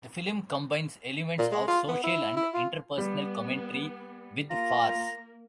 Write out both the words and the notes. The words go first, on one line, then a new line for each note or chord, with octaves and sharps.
The film combines elements of social and interpersonal commentary with farce.
A#2
G#3
F4
B3
E4
E4
F4
G3 B3
A#3 F4 A#5